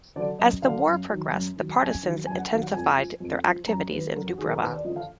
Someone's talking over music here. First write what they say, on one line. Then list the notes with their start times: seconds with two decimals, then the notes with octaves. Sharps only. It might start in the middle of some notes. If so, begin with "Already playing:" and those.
As the war progressed, the partisans intensified their activities in Dubrava.
0.16 D3 F#3 D5
0.39 F#2 D#5
0.62 D3 F#3 F5
0.86 F#2
1.10 D#3 F#3
1.33 F#2
1.56 D#3 F#3
1.80 F#2 G#5
2.03 D#3 F#3
2.26 F#2 G#5
2.38 F#5
2.50 D#3 F5
2.53 F#3
2.62 F#5
2.73 F2 G#5
2.97 F3
3.20 F2
3.44 F3
3.67 F#2 A#5
3.91 D#3 F#3 B4
4.14 F#2 A#4
4.27 F#4
4.38 D#3 F#3 G#4
4.49 A#4
4.61 D#2 B4
4.73 D5
4.85 D3 F3 D#5
4.96 F5